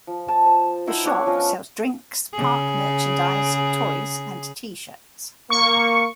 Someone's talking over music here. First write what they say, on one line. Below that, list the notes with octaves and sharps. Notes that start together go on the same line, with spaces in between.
The shop sells drinks, park merchandise, toys and T-Shirts.
F3
A5
C5
D#4 E4 C5 F#5
B3 D4 C#5
F3 C#4 D#5 F5
C#3 G#4
A#3 C#6